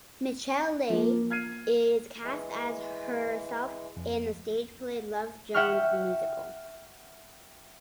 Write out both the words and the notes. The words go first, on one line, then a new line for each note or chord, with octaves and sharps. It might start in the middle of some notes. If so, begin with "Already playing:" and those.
Michel'le is cast as herself in the stage play "Love Jones the Musical".
F3 A#3
F6 G#6 C7 D#7
E3 G#3
F2
E5 F#5 G5 C#6 F6